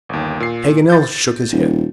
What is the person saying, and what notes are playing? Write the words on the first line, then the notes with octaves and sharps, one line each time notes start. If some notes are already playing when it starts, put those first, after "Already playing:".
Paganel shook his head.
G1 D#2
A#2 C7
G6 A6
D#1